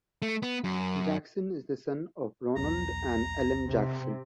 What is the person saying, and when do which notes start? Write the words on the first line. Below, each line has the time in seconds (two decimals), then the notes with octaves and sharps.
Jackson is the son of Ronald and Ellen Jackson.
0.22 A3
0.43 B3
0.64 F#2
2.56 B1 E2 A#5
3.68 C3